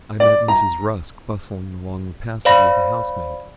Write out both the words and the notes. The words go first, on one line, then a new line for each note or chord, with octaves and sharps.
I met Mrs. Rusk bustling along the passage with a housemaid.
D5
A#5
C5 D5 F5 B5 A#6